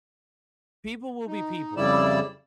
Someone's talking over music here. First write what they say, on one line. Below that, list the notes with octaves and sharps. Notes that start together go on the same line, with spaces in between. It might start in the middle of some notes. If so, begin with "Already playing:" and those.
"People will be people
D#4
F2 C#3 G3 E4 D5 E6